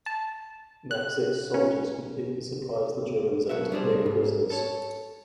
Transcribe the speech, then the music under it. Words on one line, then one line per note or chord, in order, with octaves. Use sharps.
Maczek's soldiers completely surprised the Germans and took many prisoners.
A5
F#6
C#4
B1 F#4 A#4 E5
G3 D4 G#4 C5
G#2
A4 C#5